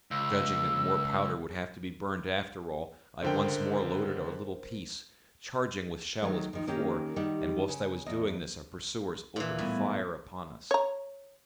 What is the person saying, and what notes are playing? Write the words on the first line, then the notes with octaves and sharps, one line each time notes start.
Judging that more powder would have to be burned after all, I once more loaded our little piece, charging with shell as before; and whilst I was doing this our pursuers opened fire upon us.
C#2 E6
C#2 D3 A#4 C5 G5
D#3 F#3 A3
D#3 F3
D#3 A#3 C#4 G4
D#3 G3 G4 F#5
C#3
E2 D#5
A#2 E3
A2 G3 A3 B3
C#5 A#5